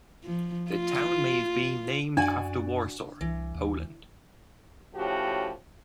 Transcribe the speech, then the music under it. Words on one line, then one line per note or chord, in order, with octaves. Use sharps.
The town may have been named after Warsaw, Poland.
F3
F4
F#2 D4 F#4 D5 G#5
C2 E3
D#2
A2 F3 C#4 F#4 G4